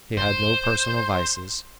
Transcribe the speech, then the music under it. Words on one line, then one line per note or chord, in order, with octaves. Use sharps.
He had no personal vices.
F1 C5